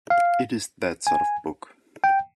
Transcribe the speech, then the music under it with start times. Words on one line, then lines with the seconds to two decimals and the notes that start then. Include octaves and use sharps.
"It is that sort of book.".
0.10 F5
1.07 G#5
2.04 G5